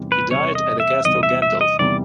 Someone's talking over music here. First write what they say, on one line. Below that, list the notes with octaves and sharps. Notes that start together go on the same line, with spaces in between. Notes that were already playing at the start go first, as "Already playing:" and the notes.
He died at Castel Gandolfo.
Already playing: E2 C3 D#3 G3
B4
E2 C3 D#3 G3 C#5
D#5
E5
E2 C3 D#3 G3 D#5
E5
E5
D#5
E2 C3 D#3 G3 D5